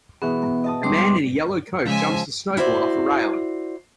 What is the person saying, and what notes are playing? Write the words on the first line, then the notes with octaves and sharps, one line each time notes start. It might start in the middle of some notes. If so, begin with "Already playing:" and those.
A man in a yellow coat jumps his snowboard off a rail.
B2 E3 B3 G#4
D#5 A5 D#6
G3 G#3 D#4 C#5 C6 D6
C#3 F3 G#3 E5 G#5
E4 F#4 C5 D5